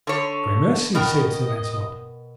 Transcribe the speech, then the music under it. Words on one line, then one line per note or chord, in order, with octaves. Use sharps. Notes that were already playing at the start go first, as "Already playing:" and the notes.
Gramercy, said Sir Launcelot.
D3 C#5
B2 A#4 D#5 G5